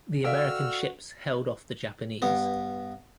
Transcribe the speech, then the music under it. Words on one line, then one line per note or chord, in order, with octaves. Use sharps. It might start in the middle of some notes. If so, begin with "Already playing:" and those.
The American ships held off the Japanese.
F#4 A4 D5 E5 F5 G5 E6 F6
G2 B3